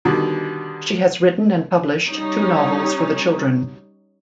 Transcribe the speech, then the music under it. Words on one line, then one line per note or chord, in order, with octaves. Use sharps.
She has written and published two novels for the children.
B2 D3 D#3 G3
G3 C#4 D#4